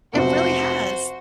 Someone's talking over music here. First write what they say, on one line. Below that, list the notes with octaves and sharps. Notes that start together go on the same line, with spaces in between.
It really has,
F1 B1 C3 F#4 C5